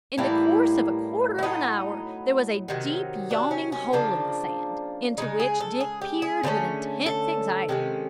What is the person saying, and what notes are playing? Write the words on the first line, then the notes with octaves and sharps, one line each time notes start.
In the course of a quarter of an hour there was a deep yawning hole in the sand, into which Dick peered with intense anxiety.
A2 E3 G3 A#3 E4
E4
A2 F#3 B3 D#4
C3 D#3 F#3
D4
C#4
C#4
C#3 F3 A#3 D4
C#3 F3 G#3 D#4
G#4
A4
G#4
G4
G#4
D3 F3 A3 C#4
A4
C3 D#3 G#3 C#4